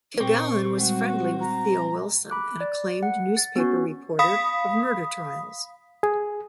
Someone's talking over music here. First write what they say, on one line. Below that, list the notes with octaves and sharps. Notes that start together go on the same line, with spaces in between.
Kilgallen was friendly with Theo Wilson, an acclaimed newspaper reporter of murder trials.
A#2 C4 A#4 G5 C#6
G3 G#3 F#4
A#5
B5 D6 F#6
D5
F#5
A6
B3 C#4 F#4
F5 B5 D#6 B6
G#4